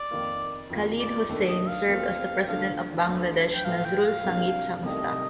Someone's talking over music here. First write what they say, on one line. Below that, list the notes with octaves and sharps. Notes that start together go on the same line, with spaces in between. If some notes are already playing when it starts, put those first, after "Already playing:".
Khalid Hossain served as the president of Bangladesh Nazrul Sangeet Sangstha.
Already playing: D5
F2 D#3 A#3 F4
F2 D#3 A#3 F4
D5
D#2 D#3 A3 D4
D#5
F5
D#2 D#3 A3 C4 F4
G5
D3 F3 A3 D4 F5
D2 D3 A3
G5
A2 F3 A3 F5
G5
F5
C2 C3 F3 A#3 D4
C2 C3 D#3 A3 D#4 D#5